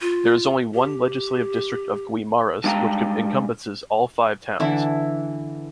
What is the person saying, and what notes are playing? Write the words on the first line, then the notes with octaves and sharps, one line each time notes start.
There is only one legislative district of Guimaras which encompasses all five towns.
F4
G4
G2 G#3 D4 F5 G5 A#5
D3 E3 E4